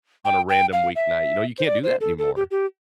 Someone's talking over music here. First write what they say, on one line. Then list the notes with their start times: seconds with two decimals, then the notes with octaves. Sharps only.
on a random weeknight, you know, you can't do that anymore.
0.25 G5
0.49 G5
0.73 F5
0.96 E5
1.58 C5
1.66 D5
1.83 C5
2.01 A4
2.18 A4
2.36 G4
2.51 G4